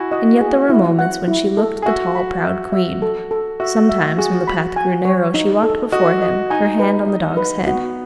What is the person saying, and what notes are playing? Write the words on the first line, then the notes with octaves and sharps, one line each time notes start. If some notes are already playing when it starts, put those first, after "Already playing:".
And yet there were moments when she looked the tall proud queen. Sometimes, when the path grew narrow, she walked before him, her hand on the dog's head.
Already playing: E4 F#4 G#5
F#4 D#5
G#4
E4
F#5
E4
A4
G#4
F#4 E5
B5
E5
E5
A4
A4
F#4 E5
E5
F#4 G#4
B5
G#5
C#5
D#4
A4
F#4 D#5
D#5
D#4 G#5
B4
D#5
B4
B3 F#4